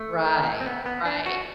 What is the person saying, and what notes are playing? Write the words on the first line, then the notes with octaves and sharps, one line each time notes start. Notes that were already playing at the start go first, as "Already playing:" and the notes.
Right, right.
Already playing: A3
C4
B3
B3
D4
F#4